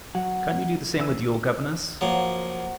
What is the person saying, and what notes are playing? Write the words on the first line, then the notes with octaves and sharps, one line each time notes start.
Can't you do the same with your governess?
F#3 F#5
E3 E6
F3 F#3 A#3